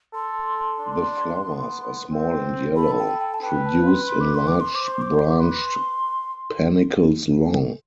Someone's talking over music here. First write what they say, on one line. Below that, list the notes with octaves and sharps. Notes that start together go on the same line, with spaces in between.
The flowers are small and yellow, produced in large branched panicles long.
A4 C6
D4
B3
C4
A4 B5
G5
G5
A5
B4 G5
A5
C6
C6
D6
C6
D6
C6
C5 D6
C6
D6
C6
D6
B4 C6